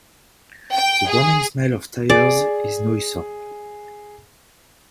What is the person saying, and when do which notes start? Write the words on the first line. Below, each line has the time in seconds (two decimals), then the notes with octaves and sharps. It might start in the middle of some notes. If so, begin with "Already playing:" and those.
The burning smell of tires is noisome.
0.74 G5
1.09 G#4
2.10 G#4 D5